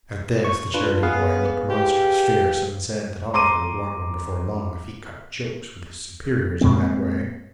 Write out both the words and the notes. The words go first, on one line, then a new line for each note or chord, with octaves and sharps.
At this, the charity-boy looked monstrous fierce; and said that Oliver would want one before long, if he cut jokes with his superiors in that way.
C#6
D4 F4 B4
B3 G#4 B4 F5
G4
A#5 C6 D6 D#7
A#2 G#3 C4